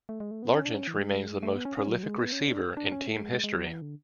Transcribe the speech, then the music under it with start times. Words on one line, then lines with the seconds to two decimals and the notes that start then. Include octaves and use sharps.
Largent remains the most prolific receiver in team history.
0.09 A3
0.20 G#3
0.31 A3
0.42 B3
0.55 C#4
0.65 D4
0.76 C#4
0.87 E3
0.99 G#3
1.43 A3
1.55 B3
1.65 C#4
1.77 C#4
1.88 F#3
2.03 G#3
2.18 B3
2.32 C#4
2.47 D4
2.77 D4
2.92 C#4
3.07 A3
3.22 G#3
3.33 G#3
3.44 G#3
3.55 F#3
3.67 E3
3.82 D3